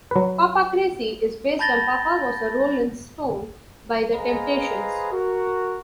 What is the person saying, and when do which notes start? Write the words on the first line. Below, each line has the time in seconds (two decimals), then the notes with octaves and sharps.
"Papa Crazy" is based on "Papa Was a Rollin' Stone" by The Temptations.
0.11 F#3 B4
1.59 A5 B5 G6 A6 A#6 G7
4.13 G#4 B4 C5 D#5 F5 A#5
5.12 F#4 A#4